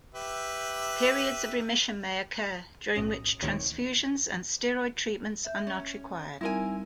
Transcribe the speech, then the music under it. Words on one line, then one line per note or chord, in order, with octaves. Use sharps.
Periods of remission may occur, during which transfusions and steroid treatments are not required.
G4 B4 E5
B1 A2 C#4 D#6 A#6
D2 A2 C3 D#3 C#5 D7
E5 G6
C#4
G3 C4 D#4 E4 A#4 G#5